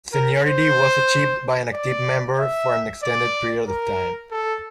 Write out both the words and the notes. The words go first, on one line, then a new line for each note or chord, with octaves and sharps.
Seniority was achieved by being an active member for an extended period of time.
A#4
C5
D5
E5
D5
A#4
A4